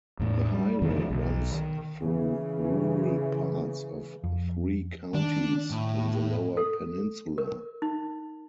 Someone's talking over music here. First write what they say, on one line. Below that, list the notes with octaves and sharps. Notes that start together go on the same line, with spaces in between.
The highway runs through rural parts of three counties in the Lower Peninsula.
E2 A2
G3
F2 C3 D#3 E3
B1
D#3
C#3 E3
F2
D#3 D4
A2
A4
A#4
D#4